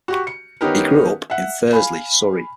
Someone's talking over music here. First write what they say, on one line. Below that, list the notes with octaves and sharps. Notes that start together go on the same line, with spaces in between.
He grew up in Thursley, Surrey.
F#4 G4 C#6
C#7
D#3 B3 C#4 D#4 G4 A#4
E5 F#5
F5 G#5 B5